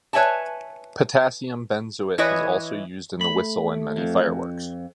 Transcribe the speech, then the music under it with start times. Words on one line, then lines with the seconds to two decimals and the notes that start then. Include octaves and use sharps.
Potassium benzoate is also used in the whistle in many fireworks.
0.13 B4 C#5 E5 G#5 A5
2.18 E3 E4 B4 C#5 D#5
3.21 A3 B5
3.97 F2